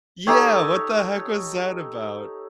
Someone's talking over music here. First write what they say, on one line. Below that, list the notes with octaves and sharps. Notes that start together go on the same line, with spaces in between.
Yeah! What the heck was that about?
D#4 G4 A4 C#5